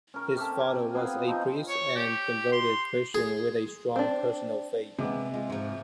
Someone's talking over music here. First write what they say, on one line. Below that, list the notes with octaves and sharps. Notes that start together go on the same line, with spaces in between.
His father was a priest and a devoted Christian with a strong personal faith.
C#4 A#4
C3 G4 A4
A#4 G#5
B3 C4 F4 G#4
F3 C4 D#4
C#5
G4
C6
G#4
C4 D4
C3 G#3 B3 D6
G#3 F4
G#2 F3